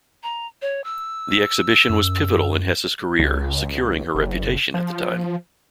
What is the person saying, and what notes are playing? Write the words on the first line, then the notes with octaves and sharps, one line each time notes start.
The exhibition was pivotal in Hesse's career, securing her reputation at the time.
A#5
C#5
E6
F#2
C#2
F#1
F3